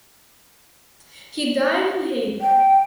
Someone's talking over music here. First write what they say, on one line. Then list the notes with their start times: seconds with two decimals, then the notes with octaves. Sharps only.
He died in Hayward.
2.41 G5